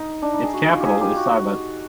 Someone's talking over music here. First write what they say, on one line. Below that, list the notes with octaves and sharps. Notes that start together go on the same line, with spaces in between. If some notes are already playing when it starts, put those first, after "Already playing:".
Its capital is Sibut.
Already playing: D#4
D4
D#4
G#4
F#4
F4
G4 G#4
G4
F#4